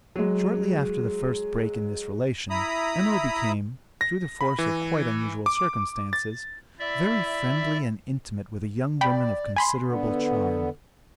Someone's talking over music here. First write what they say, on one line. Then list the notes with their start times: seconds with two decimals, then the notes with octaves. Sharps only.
Shortly after the first break in this relation, M.O. became, through the force of quite unusual circumstances, very friendly and intimate with a young woman of considerable charm.
0.16 F#3 G#3
2.50 E4 A#5 B5 D#6
4.01 A#6
4.41 B5
4.59 E3
5.46 D6
6.13 A6
6.79 E4 D5 E5
9.01 D5 G5 B5
9.56 G#5 B5 C6
9.86 D3 B3